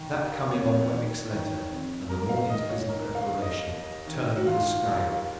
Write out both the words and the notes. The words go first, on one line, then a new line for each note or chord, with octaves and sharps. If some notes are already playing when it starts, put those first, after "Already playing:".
That, coming on Wemmick's letter and the morning's busy preparation, turned the scale.
Already playing: D#3
D#2
F2 C#5
D#3
D#3
F2
D#2 A#4
F5
D#3 D#5
C#5
D#3 A#4
F5
D#2
D#5
D#2
D#3
F#4
D#3 F4
D#2